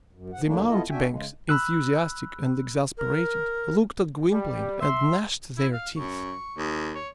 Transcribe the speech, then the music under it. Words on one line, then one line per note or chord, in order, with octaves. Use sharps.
The mountebanks, enthusiastic and exasperated, looked at Gwynplaine and gnashed their teeth.
F#2
G#2 F#5
D2 F#3 A3 A#3 D4
B3 E4 F4 A4 D#5
D4 F#4 E5 G5 G#5
C#3 G#3
B5 E6 F#6
A#4
G3
E5 C6
E4
F5
F#2 C#6
D#2
C#5